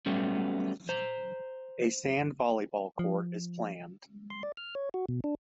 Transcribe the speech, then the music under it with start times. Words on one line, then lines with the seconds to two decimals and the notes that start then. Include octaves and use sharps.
A sand volleyball court is planned.
0.06 F#3 G3 A3 B3 C#4
0.89 C5 A#5
2.99 F3
4.30 C6
4.43 D5
4.57 F6
4.75 C#5
4.94 F#4
5.09 B2
5.24 D4